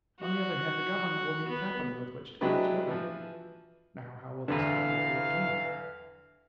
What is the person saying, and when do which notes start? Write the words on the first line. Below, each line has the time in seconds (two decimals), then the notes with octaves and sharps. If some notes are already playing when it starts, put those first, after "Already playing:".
On the other hand, the government will need capital with which to pay its workmen; now, how will this capital be obtained?
0.20 F#4
1.48 B3
2.41 F#3 G#3 D4 E4 G4 B4
2.88 E3 F3
4.48 E2 D3 E3 D4 B4 F5